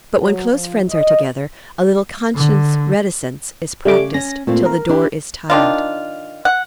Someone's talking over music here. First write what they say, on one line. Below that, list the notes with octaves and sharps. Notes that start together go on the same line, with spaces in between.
But when close friends are together, a little conscious reticence is practised till the door is tiled.
F#3
F3
D#5
D3
C#3 G3 A3 D6
C#4 A#6
A#2 A3 C4 F4
A#4
D4 E4 G4
D#3 D4 F4
F#5